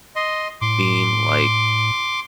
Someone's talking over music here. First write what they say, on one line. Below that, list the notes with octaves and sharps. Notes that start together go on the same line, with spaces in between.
being, like,
D#5 C6
A2 C6 D6